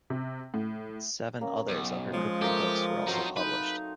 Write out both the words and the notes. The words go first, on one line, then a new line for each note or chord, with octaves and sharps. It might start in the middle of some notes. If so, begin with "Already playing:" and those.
Seven others of her cookery books were also published.
C3
A2
A#3 C#4
B1
F3 G#3 C#5
A3 A#3 G4 F5
F#3 C4 D#4 F4 C5 C#6
D#4 B4 C6